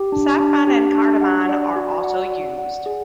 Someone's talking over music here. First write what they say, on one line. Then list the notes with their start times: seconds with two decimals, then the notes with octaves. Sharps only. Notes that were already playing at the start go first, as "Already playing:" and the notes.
Saffron and cardamom are also used.
Already playing: G4
0.12 D4
0.40 D4
0.67 G4
0.94 D4
1.21 F#5
1.49 D5
1.76 F#4
2.04 F#5
2.31 D5
2.59 F#5
2.86 G#4